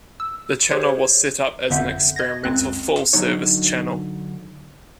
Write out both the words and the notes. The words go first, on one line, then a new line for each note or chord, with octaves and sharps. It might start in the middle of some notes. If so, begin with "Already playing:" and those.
The channel was set up as an experimental full service channel.
E6
G4 G#4 C5 C#5
G1 F2 D3 E5 F#5 G6
D#5 G#6 A#6
C#2 F#2 C4 F#6
D3 F#3 D#4 C#5